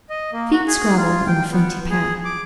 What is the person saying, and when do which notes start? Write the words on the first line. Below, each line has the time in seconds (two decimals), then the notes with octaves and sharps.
Feet scrabbled on the flinty path.
0.10 D#5
0.33 A#3
0.51 F#4
0.67 G#4
0.97 F4
1.27 G5
1.51 B3
1.90 G#4
2.25 D6